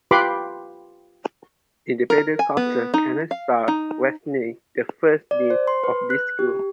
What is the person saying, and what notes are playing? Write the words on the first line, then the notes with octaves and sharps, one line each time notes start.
Independent Counsel Kenneth Starr was named the first dean of this school.
F4 G4 B4 B5 C6 D6
A#4
G#5
B3
D#4
F5
D#4
D5
C5
C6
B4
F#6
G4